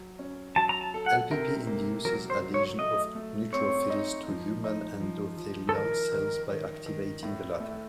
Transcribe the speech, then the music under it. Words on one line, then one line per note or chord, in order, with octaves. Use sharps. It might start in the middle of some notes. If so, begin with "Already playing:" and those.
Lpp induces adhesion of neutrophils to human endothelial cells by activating the latter.
Already playing: F#3
C#4
F#3 A5
A#5
A5
A4
F#5
C3 A#4
A#3
F#3 A#4
C5
F#3
C#5
A3 D#5
A3
C4 C#5
D#4
F3
D#4
F3
F3
A4
D#3 A#4
D#3
D#3
D#3
A2
A3